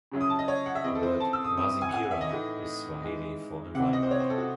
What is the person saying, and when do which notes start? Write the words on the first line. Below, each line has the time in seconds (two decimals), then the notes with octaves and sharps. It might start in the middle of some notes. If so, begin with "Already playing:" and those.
The word "Mazingira" is Swahili for "environment".
0.12 C#3 F#3 C#4 E4
0.21 D#6
0.30 A5
0.39 D#5
0.48 C#5
0.66 F#5
0.75 E5
0.84 E3 C4 E4 D#5
0.95 A4
1.03 C5
1.20 A5
1.33 E6
1.44 D#6
1.57 E3 C4 E4 D#6
1.69 D#6
1.82 G#5
1.89 F#5
1.94 G#5
2.03 F#5
2.11 E5
2.21 D#5
2.29 A2 E3 A3 D#4
3.02 E3 G#3 D#4
3.74 C3 E3 C4 F#5
3.93 D#5
4.03 C5
4.11 C#5
4.20 C5
4.30 A4
4.38 F#4